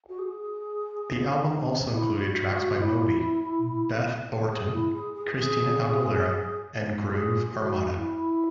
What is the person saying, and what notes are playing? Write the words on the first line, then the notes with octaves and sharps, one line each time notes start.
The album also included tracks by Moby, Beth Orton, Christina Aguilera, and Groove Armada.
F#4
G#4
E4
F#4
F#4
E4
G#4
E4
G#4
G#4
G#4
G#4
F#4
E4